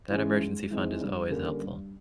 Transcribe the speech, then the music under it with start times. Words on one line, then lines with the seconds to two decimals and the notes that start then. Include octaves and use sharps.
that emergency fund is always helpful.
0.10 E3 G#3 C#4
0.41 G#2
0.71 E3 G#3 C4 D#4
1.01 G2
1.30 D3 G3 A#3 C#4
1.60 G2